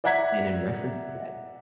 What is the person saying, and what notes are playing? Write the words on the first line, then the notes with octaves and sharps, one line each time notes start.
And in reference to that,
D5 E5 F#5 A#5 G#6 B6